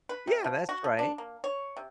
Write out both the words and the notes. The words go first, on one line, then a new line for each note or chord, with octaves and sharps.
Yeah, that's right.
B4
C3
F3
F#4
F3
D4
A#3
C#5
C3